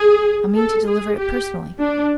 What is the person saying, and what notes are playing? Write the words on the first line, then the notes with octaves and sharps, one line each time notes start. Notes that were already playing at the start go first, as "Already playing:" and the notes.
I mean to deliver it personally.
Already playing: G#4
A4
G#4
G4
D4